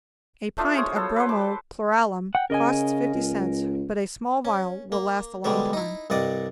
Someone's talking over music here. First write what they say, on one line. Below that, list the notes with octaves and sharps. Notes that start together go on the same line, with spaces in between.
A pint of bromo chloralum costs fifty cents, but a small vial will last a long time.
A3 D4 D#4 F4
G#4 C5 C#5 D#6
F#3 B3 A4
B4 C5
A5 D6
F#5 G5
C#3 A#4 D#5 G#5
C#2
C#4
A#3
B2 D3 G3 G#3 C5
D#4 E4
C2 G2 D5 D#5 F#5